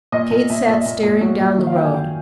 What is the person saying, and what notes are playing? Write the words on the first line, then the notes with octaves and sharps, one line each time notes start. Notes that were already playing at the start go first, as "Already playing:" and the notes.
Kate sat staring down the road.
A#2 D#5
A#2
A#2 E5
A#2 E5
A#2
A#2
F#3
A#2
D#3
F5
F#3 G5
G#5
D#3 G5